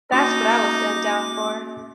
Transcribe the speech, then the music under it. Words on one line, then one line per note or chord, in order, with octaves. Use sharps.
That's what I was sent down for.
A#3 C#4 D#4 F#4 D6